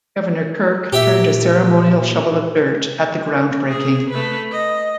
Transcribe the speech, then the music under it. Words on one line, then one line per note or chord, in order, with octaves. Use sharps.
Governor Kirk turned a ceremonial shovel of dirt at the groundbreaking.
A#2 G4 E5
G#4
A3 B4
D#5